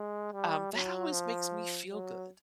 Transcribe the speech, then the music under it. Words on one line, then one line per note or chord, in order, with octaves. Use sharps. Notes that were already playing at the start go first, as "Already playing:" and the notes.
Um, that always makes me feel good.
Already playing: G#3
G3
F#3
F3
F#3